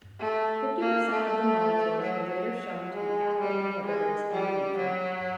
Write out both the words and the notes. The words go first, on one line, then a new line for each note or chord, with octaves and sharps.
Fifty percent of the molecules were later shown to be active inhibitors "in vitro".
A3
A#3
A3
F#3
G#3
G3
G#3
G3
F#3